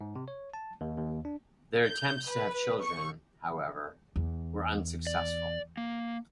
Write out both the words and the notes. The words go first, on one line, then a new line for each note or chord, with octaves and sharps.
Their attempts to have children, however, were unsuccessful.
G#2
C3
C#5
A5
D#2
D#2
D4
G6
B4
C#6
E2
D5
A#3